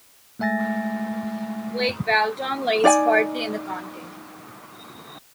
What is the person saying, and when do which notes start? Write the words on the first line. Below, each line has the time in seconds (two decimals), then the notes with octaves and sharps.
Lake Balaton lies partly in the county.
0.39 G#3 A3 E5 G#5 A6 A#6
2.84 D#4 D5 F5 G#5